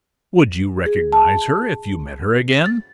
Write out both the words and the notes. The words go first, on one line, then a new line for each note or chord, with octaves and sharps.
"Would you recognize her if you met her again?"
G#4
A5
A6